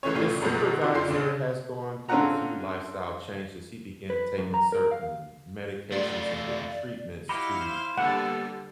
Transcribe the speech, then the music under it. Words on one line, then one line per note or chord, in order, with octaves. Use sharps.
This supervisor has gone through a few lifestyle changes. He began taking certain medications and getting treatments to
C#2 E3 A3 C#4 C#5
C2 A2 A3 C#4 F4 C7
C#2 F#2 B2 F3
D#3 F#4
F2 F4 C6 C7
A#1 D#2 D4
D3 C4 C#4 F4 F#5 A#5
B4
F#2
A#5
A#4
F5
A3 F4 D5
E4 F#4 G4 D#5 F5 B5
C5
D3 G3 A#3 B3 A4 F#5